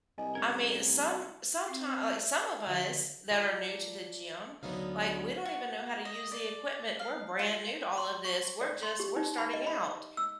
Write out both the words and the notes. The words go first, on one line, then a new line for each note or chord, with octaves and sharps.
I mean, some sometime like, some of us, that are new to the gym, like, we don't even know how to use the equipment. We're brand new to all of this, we're just we're starting out,
C2 D#5 G#5
A3 C#4 A#4 G#6
C4 C7
E5
D3 F3 F#4
F3 F4 D5 A#5
D2 D3 F#3 B3 D#4 F5
F#4
D#5
D5
F5
F4
C6
C#6
D5
C6
G4
D#4
B5
D#5
B5
E6